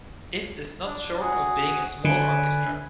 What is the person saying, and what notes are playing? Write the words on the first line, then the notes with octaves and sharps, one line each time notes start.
It is not short of being a small orchestra.
D4
F#4 G#4
D3 B4 G#5